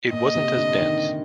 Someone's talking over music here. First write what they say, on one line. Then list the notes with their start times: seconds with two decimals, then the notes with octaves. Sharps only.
It wasn't as dense.
0.12 A#2 D#5
0.35 C3
0.57 D3
0.79 D#3